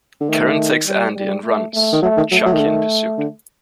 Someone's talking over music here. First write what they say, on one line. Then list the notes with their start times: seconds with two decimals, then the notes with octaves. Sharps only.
Karen takes Andy and runs, Chucky in pursuit.
0.21 D3
0.29 D#3 A3
0.87 G3
1.16 G3
1.44 A3
1.74 A3
1.92 D#3
2.02 F#3 A3
2.17 D#3
2.32 F#3 A3
2.46 F#3
2.53 D#3
2.60 D3
2.67 D#3
3.18 D3